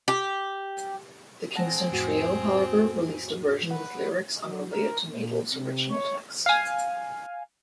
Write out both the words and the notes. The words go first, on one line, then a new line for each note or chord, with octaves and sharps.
The Kingston Trio, however, released a version with lyrics unrelated to Meidell's original text.
G4
C4 G#4 F#5 A5 A#6
F2 A2 F#4
B4 F#5
F#3
A#4
A#2
C3
C#5
F5 G#5